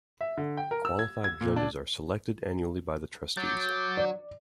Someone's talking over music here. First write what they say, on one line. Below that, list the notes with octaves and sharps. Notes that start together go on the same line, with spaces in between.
Qualified judges are selected annually by the Trustees.
E5
D3
G5
A#4
E6
G#6
G#6
A#2
D4
F#3 D6 G6 A6
D5